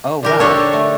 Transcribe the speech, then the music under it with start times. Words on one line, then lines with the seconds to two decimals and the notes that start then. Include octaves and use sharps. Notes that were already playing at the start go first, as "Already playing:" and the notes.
Oh, wow.
0.23 D3 G4 A#4
0.40 D4 A4 C#5
0.57 D3
0.73 A3